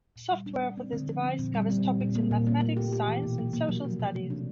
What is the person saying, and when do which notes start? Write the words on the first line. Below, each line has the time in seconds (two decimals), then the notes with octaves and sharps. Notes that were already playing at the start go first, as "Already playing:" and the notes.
Software for this device covers topics in mathematics, science, and social studies.
0.16 A#2
0.31 G3
0.46 D4
0.63 D4
0.77 C4
0.93 D3
1.08 F3
1.23 C4
1.39 A#2
1.54 G3
1.69 C4
1.85 A#2
2.01 A#2
2.15 A#3
2.31 A#2
2.47 A#3
2.62 A3
2.77 G4
2.93 G4
3.07 E3
3.23 B2
3.38 F#3
3.53 A#3
3.69 F#3
3.84 F3
4.00 C3
4.15 A3
4.30 D4